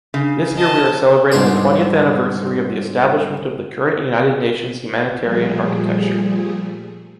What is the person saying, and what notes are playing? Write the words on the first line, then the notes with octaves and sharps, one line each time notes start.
This year we are celebrating the twentieth anniversary of the establishment of the current United Nations humanitarian architecture.
C#3
D#5 A5
C2 G#2 B2 D4 C5 D5
A#2 F3 G3 A3 G#4